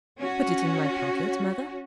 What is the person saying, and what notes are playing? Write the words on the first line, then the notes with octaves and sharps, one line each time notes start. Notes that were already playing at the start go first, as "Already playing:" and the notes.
'Put it in my pocket, Mother.'
C#4 F#4